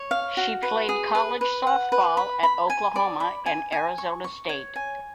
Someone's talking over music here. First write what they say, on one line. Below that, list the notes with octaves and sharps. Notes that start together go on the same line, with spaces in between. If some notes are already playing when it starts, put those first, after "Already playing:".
She played college softball at Oklahoma and Arizona State.
Already playing: C#5
F5
F#4
B4
G#4
B4
B4
F#5
B4
B5
B5
G#5
D5
B5
G#5
G#5
C#6
C#6
C#5
G#5